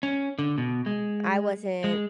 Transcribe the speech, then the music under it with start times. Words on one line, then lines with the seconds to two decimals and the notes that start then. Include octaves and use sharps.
I wasn't
0.03 C#4
0.39 D3
0.58 B2
0.86 G#3
1.84 G#3